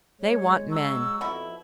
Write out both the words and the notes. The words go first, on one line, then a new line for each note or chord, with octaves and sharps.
They want men.
G#3 C#5
F#3 E6
F2 B2 E4